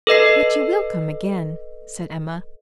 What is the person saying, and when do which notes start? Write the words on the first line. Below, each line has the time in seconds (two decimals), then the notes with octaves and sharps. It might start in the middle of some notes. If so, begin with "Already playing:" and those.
"But you will come again," said Emma.
0.07 A4 B4 D#5 C7